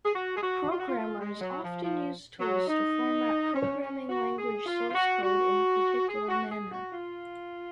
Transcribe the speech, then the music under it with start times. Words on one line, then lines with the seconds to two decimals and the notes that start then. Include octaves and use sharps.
Programmers often use tools to format programming language source code in a particular manner.
0.04 G#4
0.13 F#4
0.35 G#4
0.42 F#4
0.70 F4
0.79 F#4
0.88 F4
0.98 F4
1.20 G#3
1.41 F#3
1.63 F3
1.83 F3
2.39 F#3
2.68 D#4
3.53 C#4
3.81 C#4
4.09 F#4
4.38 G#4
4.66 F4
4.90 F4
4.94 F#4
5.22 F#4
6.07 G#4
6.28 F#4
6.50 G#4
6.71 F#4
6.92 F4